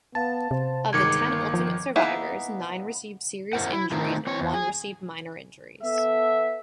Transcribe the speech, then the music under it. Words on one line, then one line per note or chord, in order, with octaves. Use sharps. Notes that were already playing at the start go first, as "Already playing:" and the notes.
Of the ten ultimate survivors, nine received serious injuries and one received minor injuries.
B3 F5 A5 A6
C3 C5
G1 D#3 G#3 D6 G#6 C#7
A#3
F3
A#3 B3 D#4 E4 G#4
E4 A#4 C5 F#5
E4
D#3 A3 C4 D#4 F4
C4 C#5
E2
G#4
B3 A4 E5